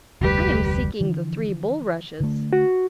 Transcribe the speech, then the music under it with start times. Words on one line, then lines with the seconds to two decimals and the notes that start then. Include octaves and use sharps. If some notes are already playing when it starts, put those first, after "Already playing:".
'I am seeking the three bulrushes.
0.21 F1 D2 G3 G4 B4
1.01 D3 E3 F3
2.20 D3 A3
2.53 F#4